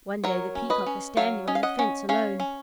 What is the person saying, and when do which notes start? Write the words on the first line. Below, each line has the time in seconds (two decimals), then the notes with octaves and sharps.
One day the Peacock was standing on the fence alone.
0.24 F#3 A#4 C#5
0.55 C#4
0.70 B4 D#5
0.86 C#4
1.17 F#3 C#5 F5
1.48 C#4 D#5
1.55 F5
1.63 D#5 F#5
1.79 C#4
2.09 C#4 C#5 F5
2.40 C#4